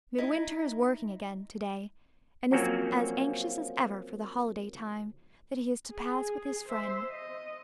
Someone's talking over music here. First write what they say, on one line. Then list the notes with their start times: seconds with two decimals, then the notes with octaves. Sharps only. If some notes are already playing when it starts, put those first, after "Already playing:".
Midwinter is working again to-day, and is as anxious as ever for the holiday-time that he is to pass with his friend.
0.18 D#4 E4
2.52 F3 F#3 A#3 C4 C#4 F#4
5.90 G#4
6.68 C5 E5
7.09 D#5